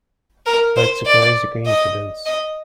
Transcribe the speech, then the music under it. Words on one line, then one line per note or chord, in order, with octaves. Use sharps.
That's a crazy coincidence!
A#4
C5
D5
D#5
D#5